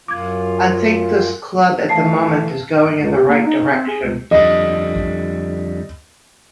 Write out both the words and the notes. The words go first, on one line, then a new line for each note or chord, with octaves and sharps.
I think this club at the moment is going in the right direction.
F#2 F4 D6 G#6
E3 A3 F5 A5 C7
C#2
G4
A#3
D#4
C4
G#4
C#2
F2 D3 G3 D#5